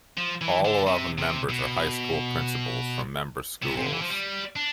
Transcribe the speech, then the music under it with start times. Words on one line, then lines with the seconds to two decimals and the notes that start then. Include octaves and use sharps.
All eleven members are high school principals from member schools.
0.18 F3
0.41 E3
0.65 D3
0.87 C3
1.18 C3
1.49 B2
3.63 C3
3.77 C3
3.85 D3
3.93 E3
4.02 F3
4.10 G3
4.56 D4